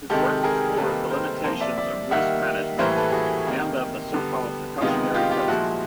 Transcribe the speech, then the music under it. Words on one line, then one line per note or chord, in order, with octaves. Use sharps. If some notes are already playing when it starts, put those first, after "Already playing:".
His work explores the limitations of risk management and of the so-called precautionary principle.
C3 D#3 G#3 G4 A4
G#4 A#4
C3 D#3 G3 A#3 A4 B4
A#4 C5
C3 F3 A#3 A#4 C5
D5 E5
D5 E5
D#3 G3 A#3 E5 F#5
A2 E3 G3 A#3 A#4 C5
A4 B4
F#4 G#4
C3 D#3 G3 A#3
D3 G3 B3
C3 D#3 G#3 B3 D#4 F4
F4 G4
F4 G4
A#2 F3 G#3 E4 F#4